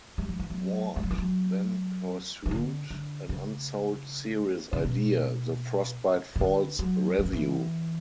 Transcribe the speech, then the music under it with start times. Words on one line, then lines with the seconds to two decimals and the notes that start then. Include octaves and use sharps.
Ward then pursued an unsold series idea, "The Frostbite Falls Revue".
0.18 G3
0.29 F#3
0.40 E3
0.50 F#3
0.96 G3
1.03 F#3
1.11 E3
1.18 F#3
2.46 E3
2.51 D3
2.90 D3
3.29 C#3
4.73 C#3
4.85 B2
6.36 C#3
6.41 D3
6.79 F#3
7.19 E3
7.25 F#3
7.33 E3